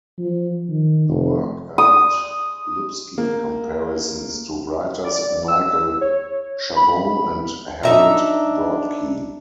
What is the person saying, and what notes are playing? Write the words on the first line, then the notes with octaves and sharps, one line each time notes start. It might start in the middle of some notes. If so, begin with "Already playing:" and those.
The work earned Lipsky comparisons to writers Michael Chabon and Harold Brodkey.
F3
D#3
F1
D#6
A#3
D5
E6
C#5
B5
D4 D#4 E5 A#5